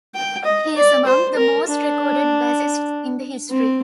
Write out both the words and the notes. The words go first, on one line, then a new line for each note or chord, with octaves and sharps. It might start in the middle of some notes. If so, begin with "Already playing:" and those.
He is among the most recorded bassists in history.
G5
D#5
D5
C5
A#4
D4
C4